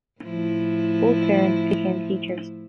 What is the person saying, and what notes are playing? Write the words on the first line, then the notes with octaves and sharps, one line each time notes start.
Both parents became teachers.
A2 F3 E4